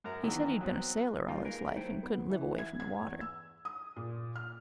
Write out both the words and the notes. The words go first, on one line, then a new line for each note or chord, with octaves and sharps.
He said he'd been a sailor all his life and couldn't live away from the water.
F#2 A#4 A#5
D#3 E3 F#3 A#3 B3
F#3 B3 C4
G3 A#3 D#4 F4
A#3 G#4 A#4 B4
F#3 A3 D#4 E4 C5 G5
B3
E3
G#6
G#6
E2
E6
D#6
A#2
F6